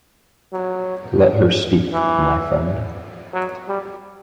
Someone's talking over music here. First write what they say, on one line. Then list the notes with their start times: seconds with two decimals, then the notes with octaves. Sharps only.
Let her speak, my friend.
0.53 F#3
1.93 E3
3.33 F#3
3.68 G3